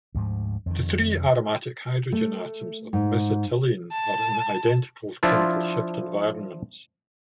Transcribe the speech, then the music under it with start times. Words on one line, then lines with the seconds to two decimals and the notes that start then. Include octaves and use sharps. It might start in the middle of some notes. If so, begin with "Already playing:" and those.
The three aromatic hydrogen atoms of mesitylene are in identical chemical shift environments.
0.15 D2 G#2 F3
0.66 F2 D#3
2.12 A3
2.93 G#2
3.92 A5
5.23 F3 D4 E4 F4